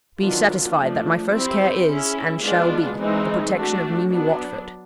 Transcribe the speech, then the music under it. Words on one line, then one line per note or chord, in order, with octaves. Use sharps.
Be satisfied that my first care is, and shall be, the protection of Mimi Watford.
D#3 F#3 B3 D4 F4
F3 A3 D4
C4 E4 G4 C5
C#4 E4 G#4
G#3 B3 D4 F4
E3 G#3 C4 D#4
A3 D4 F#4
F#3 B3 D4